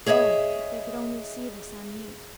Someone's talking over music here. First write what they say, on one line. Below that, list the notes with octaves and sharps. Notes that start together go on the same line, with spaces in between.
Oh, if they could only see the Psammead!
G#4 C#5 D#5 E5